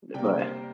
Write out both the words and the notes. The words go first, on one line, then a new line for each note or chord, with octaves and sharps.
D but
C3 G3 A#3 G5
A#4
C5